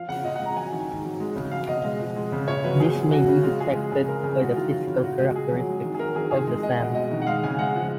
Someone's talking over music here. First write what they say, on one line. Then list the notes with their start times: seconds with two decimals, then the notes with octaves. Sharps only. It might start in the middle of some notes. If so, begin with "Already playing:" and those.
This may be detected by the physical characteristics of the sand.
Already playing: F3 F5
0.08 C#3 F#5
0.24 A#2 D#5
0.36 F#5
0.40 G#3
0.45 A#5
0.56 F#3 G#5
0.72 D#3
0.88 G#2
1.05 F#3
1.20 G#3
1.36 C#3
1.51 F#3 F5
1.67 B2 D#5
1.84 G#3
2.01 F3
2.16 G#3
2.32 C#3
2.48 A#2 C#5
2.64 F#3 B4
2.80 A#2 G#4
2.95 F#3
3.11 F#3 F#4
3.28 C#3
3.43 G#3 F4
3.60 F3 G#4
3.75 G#3
3.92 C#3 G#4
4.07 G#3 A#4
4.23 C#3 G#4
4.40 G#3 F#4
4.56 D#3 F4
4.71 F#3 F4
4.87 C#3
5.04 A#2 F#4
5.20 G#3
5.36 A#2 G#4
5.51 F#3
5.68 G#3
5.84 D#3
5.94 G#4
5.99 F#3 A#4
6.15 D#3 G#4
6.31 A#2 G#4
6.47 G#3
6.63 G#3 D#5
6.80 B2
6.95 G#3 D#5
7.11 D#3
7.22 F#5
7.27 G#3 F5
7.43 C#3 G#5
7.59 G#3 F#5
7.76 F3